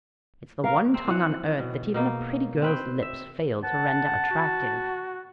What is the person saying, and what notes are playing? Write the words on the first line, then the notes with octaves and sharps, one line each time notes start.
It's the one tongue on earth that even a pretty girl's lips fail to render attractive.
A#4 F5
C4
E3 F#5
B2
B2 A#3 D#4
C4 B4 G5
E5
F#5 A5
F#4